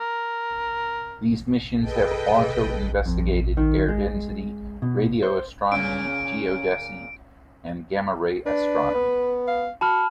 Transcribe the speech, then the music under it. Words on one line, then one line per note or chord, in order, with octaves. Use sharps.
These missions have also investigated air density, radio astronomy, geodesy, and gamma ray astronomy.
A#4
G#4 A4 B4 D#5 G5
F2
D#3
G#3
B2
C5
A#2 C#3 C#4 D7
D4 B4
B3
F5
F#4 A5 B5 F6